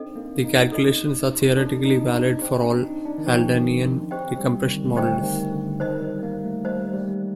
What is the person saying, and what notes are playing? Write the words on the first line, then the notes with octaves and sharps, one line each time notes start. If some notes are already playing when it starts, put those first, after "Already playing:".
The calculations are theoretically valid for all Haldanean decompression models.
Already playing: C4 D4 D#4 A4 D#5
A#3
D#4
A4 D#5 A#5
D4 A4 D#5 A#5
D#4
D4
C4 G4 C5 D#5 G5 A#5
D4
D#4
D4
D#3
F3 G4 C5 D#5 G5 A#5
D#3
C4 G4 C5 D#5 G5 A#5
G3
D3
D#3
A3
G3 G4 C5 D#5 G5 A#5
D#3
D3
D#3 C5 D#5 A#5
G3
A#3
A3
G3 C5 D#5 A#5
G3